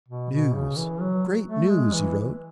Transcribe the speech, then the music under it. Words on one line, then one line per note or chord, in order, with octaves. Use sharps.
'News! great news!' he wrote.
B2
B2
C#3
E3
F#3
A3
G#3
E3